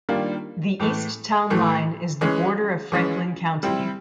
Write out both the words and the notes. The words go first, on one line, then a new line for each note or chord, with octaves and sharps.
The east town line is the border of Franklin County.
D#3 G3 A#3 D4 F4
A2 E3 A3
A2 E3 A3
E3 G#3 C#4
E3 G#3 C#4
G3 C4 E4